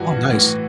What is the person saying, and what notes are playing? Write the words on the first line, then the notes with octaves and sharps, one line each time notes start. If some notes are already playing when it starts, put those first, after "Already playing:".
Oh, nice.
Already playing: G2 E3 F#4
A2 E3